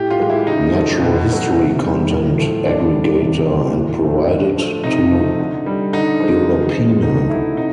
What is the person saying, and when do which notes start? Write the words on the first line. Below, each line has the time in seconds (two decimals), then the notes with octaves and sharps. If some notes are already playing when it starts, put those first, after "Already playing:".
Natural History content aggregator and provided to Europeana.
Already playing: A2 G4
0.10 F4
0.20 E3 G#3
0.30 E4
0.47 C#3 D#4
0.75 F3 A3
1.02 B2
1.30 F#3 A3
1.57 C3
1.84 D#3 G3
2.11 A2
2.38 F3 A3
2.65 D3 D4
2.93 G3
3.20 C3
3.48 E3 G3
3.75 A2
4.02 F3 A3
4.30 D3
4.56 F3 A3
4.84 C3 D#4
5.12 F3 A3
5.39 D3
5.66 G3
5.93 D3 D#4
6.20 F3 G#3
6.48 C#3
6.75 F3 G#3
7.02 D3 D#4
7.30 F#3 A3 E4
7.57 C3 D#4